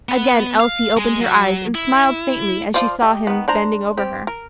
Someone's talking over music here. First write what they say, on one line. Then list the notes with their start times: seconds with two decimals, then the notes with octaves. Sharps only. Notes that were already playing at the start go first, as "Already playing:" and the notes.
Again Elsie opened her eyes, and smiled faintly as she saw him bending over her.
0.09 B3
0.60 F5
0.97 G#3
1.20 F#3
1.75 E4
2.74 F3 E4 F4 C5 D5
3.02 G4 D#5
3.27 D#3 B3
3.48 D4 C5 A#5
3.97 C4 G4
4.27 A#4